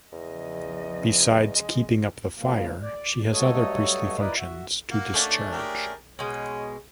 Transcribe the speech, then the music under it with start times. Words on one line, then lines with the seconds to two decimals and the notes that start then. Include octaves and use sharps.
Besides keeping up the fire she has other priestly functions to discharge.
0.12 E2 C#3 F3 D#5
1.56 G#3
2.38 G#2 C#3 F3 A#3
2.82 D5
3.32 G2 F#3 A3 A4 C#5 D#5
4.18 E4 A#4 B4 D5 D#5
4.37 F#4 E5
4.91 A#3 F#4
5.14 A3 C#4 D4
5.52 G4 G#4 A#4
6.19 B2 G#3 C#4